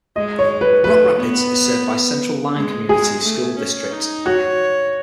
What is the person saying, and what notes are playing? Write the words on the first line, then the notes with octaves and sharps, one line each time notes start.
Rock Rapids is served by the Central Lyon Community School District.
G#3 D#5
C#5
B4
A3 B4
B3
G#3
G#3 G#4
A3
C#4
D#4
F#4 C#5